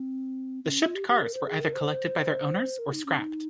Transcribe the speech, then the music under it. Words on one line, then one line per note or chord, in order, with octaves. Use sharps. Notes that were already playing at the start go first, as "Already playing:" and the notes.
The shipped cars were either collected by their owners or scrapped.
Already playing: C4
C4
C#4
F4
G4
G4
A#4
C5
G#4
A#4
C5
A#4
D#4
C#4
D#4